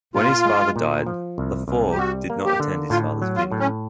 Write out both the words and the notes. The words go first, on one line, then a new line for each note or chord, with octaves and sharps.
When his father died, Laforgue did not attend his father's funeral.
A#2 F4
G#3
A#2
F3
C2
C2
G4
G3 F#4
A#3
G4
D3
A2 F4
F#3
F4
A2
C#4